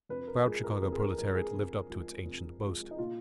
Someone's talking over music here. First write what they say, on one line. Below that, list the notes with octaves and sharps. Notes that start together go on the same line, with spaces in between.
The proud Chicago proletariat lived up to its ancient boast.
F2 B4
A#4
F3 G#3 G#4
A#4
F2 A#4
G#4
A#4
F3 G#3 A#4
G#4
F2
F3 G#3
F2
F3 G#3
D#4
A#2 F4